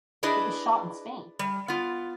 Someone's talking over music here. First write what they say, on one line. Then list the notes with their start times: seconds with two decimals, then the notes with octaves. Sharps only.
It was shot in Spain.
0.23 D4 E4 G#4 B4 D#5
1.39 G3
1.68 B3 F4